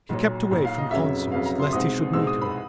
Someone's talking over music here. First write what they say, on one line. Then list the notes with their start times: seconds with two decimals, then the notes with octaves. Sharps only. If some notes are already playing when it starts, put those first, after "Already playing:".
He kept away from concerts lest he should meet her.
0.09 B1 A#2 F#3
0.51 B1 A#2 F#3
0.65 F5
0.78 D#5
0.91 F1 F2 C#3 F#3 E5
1.32 F1 F2 C#3 F#3 F5
1.46 A#5
1.59 C6
1.73 C2 B2 G#3 C4 D#4 D#6
2.13 C2 B2 G#3 C4 D#4 E6
2.27 D#6
2.42 B5